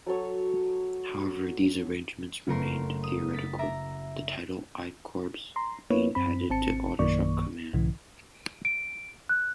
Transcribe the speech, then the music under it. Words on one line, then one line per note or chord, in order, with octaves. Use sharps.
However, these arrangements remained theoretical, the title 'I Corps' being added to Aldershot Command.
F#3 A4 C#5
F#1 C#3 A3 A#4 C6
D#6
A6 B6
E5 A#5 D6
A#5 C6
A#3 B3 E4 B4 C#5
F#2 C4 B5
G#1 C4 A5 C#7
A#1 F#2 D#3 A#3 D5 C#6
B1 G#2 C#3 E3
D7
F#6